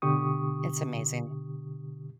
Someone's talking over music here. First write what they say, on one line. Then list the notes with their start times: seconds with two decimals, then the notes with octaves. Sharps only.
It's amazing.
0.02 B2 D3 G4 C#6 D#6